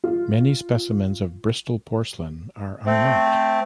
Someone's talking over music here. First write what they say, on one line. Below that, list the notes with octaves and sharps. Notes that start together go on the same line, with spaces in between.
Many specimens of Bristol porcelain are unmarked.
F4
A3 C4